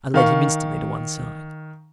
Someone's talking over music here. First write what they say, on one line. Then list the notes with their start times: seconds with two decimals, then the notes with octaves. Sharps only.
I led him instantly to one side.
0.14 D#3 F5 C#6